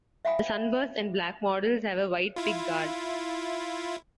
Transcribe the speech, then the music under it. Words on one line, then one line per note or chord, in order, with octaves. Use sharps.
The sunburst and black models have a white pick guard.
E5 F5 G5 G#5 B5 D#6
E4 F4